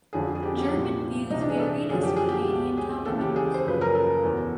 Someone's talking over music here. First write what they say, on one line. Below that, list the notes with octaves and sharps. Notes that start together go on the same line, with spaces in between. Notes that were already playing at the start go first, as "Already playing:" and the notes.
German views varied as to Canadian countermeasures.
F2 D3 F3 G#4
G#4
G4
G4
C2 A#2 F3
C2 C3 E3 D#4
D4
G#4
A4
F#2 D3 F3 G#4
G4
G#4
G4
C#2 B2
G#4
D#2 C#3 E3 A4
G4
G#4
C5
F#2 C#3 F3 B4
A#4
A4
E2 B2